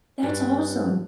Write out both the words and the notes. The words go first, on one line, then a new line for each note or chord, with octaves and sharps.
That's awesome.
G2